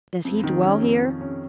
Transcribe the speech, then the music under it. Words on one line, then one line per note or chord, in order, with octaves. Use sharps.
Does he dwell here?
F2
D#3
C#4
F2
F2
C#4